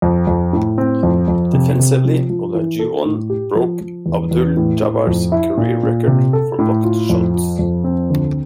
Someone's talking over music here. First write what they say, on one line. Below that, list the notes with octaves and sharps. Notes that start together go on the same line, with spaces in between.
Defensively Olajuwon broke Abdul-Jabbar's career record for blocked shots.
F2
F2
A2
C4
F2
F2
C3
C3
F3
F3
E3
A4
A2
G4
F3
F3
E2
E2
A2
A2
F2
E4
A#2
A#2
C3
A4
A2
F4
F2
F4
F2
C4
D2